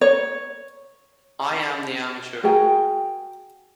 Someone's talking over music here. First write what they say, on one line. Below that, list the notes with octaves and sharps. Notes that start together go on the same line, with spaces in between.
I am the amateur.
C#5
F#4 G#4 A#4 G5